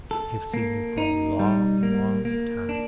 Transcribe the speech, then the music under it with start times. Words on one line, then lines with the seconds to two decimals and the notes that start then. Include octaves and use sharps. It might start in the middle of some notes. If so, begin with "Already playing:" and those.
I have seen you for a long, long time.
0.11 A4
0.54 A#3
0.98 D#4
1.39 G3
1.83 A#3
2.25 A#3
2.69 D4